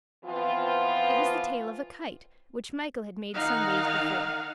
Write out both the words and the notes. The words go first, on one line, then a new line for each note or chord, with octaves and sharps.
It was the tail of a kite, which Michael had made some days before.
E3 F3 B3 C4 F4
D#3 D#4 F5 F#5